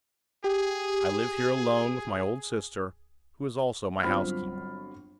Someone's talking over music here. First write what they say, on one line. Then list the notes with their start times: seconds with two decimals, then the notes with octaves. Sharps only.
I live here alone with my old sister, who is also my housekeeper.
0.44 G4 G#4
4.03 G1 F#3 C4 F4 B5 F6